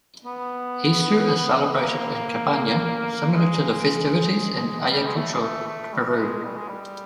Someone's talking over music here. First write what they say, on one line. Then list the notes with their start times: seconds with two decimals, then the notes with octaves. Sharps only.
Easter is celebrated in Cabana similar to the festivities in Ayacucho, Peru.
0.25 B3
1.80 A#3
3.35 G#3
4.81 G#3
4.90 G3
5.07 G#3
5.15 A3
5.35 G#3
5.41 A3
5.67 A3
5.93 G3
6.09 A3
6.18 G#3
6.44 G3
6.56 G#3
6.68 G3